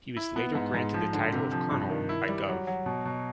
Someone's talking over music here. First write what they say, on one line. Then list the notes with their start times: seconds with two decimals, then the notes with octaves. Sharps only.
He was later granted the title of "Colonel" by Gov.
0.17 E4
0.36 B3
0.55 G#2
0.74 G#2
0.94 F3
1.13 D3
1.32 C3
1.52 F3
1.71 G2
1.90 D#3
2.09 E4
2.29 G3
2.48 F#3
2.67 F#3
2.86 B2
3.05 B2